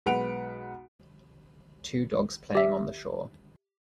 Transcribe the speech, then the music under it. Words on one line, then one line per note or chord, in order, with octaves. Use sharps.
Two dogs playing on the shore.
B1 G#3 B4 F#5 D7 F7
G4 E5